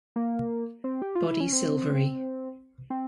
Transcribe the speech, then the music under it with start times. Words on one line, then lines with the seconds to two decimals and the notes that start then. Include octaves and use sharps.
Body silvery.
0.16 A#3
0.84 C4
1.02 G4
1.15 F4
1.28 E4
1.40 C#4
1.52 C4
2.90 C4